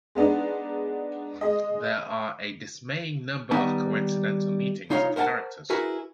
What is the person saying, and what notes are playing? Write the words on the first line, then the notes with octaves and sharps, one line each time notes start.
There are a dismaying number of coincidental meetings of characters.
G#3 B3 D4 D#4
G#3 D#5
D#3 G3 B3 D#4 B4 A5
C2 D#4 F4 C#5 F5
A#4 C5 F#5 G5 A5
E4 F#4 G#4 A#4 B4